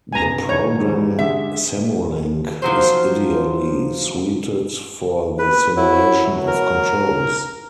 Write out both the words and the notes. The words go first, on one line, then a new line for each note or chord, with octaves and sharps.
The program Simulink is ideally suited for the simulation of controls.
G2 C3 G#5 A#5
D#3 C#5 A#5
E2 G3
D3 G#3 G4 E5
F3 F#3 C5
B4
F#3 E4
A#4